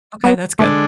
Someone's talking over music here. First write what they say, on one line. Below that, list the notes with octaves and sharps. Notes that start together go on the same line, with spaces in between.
Okay, that's good.
B3
D3 G#3 A3 D4 A4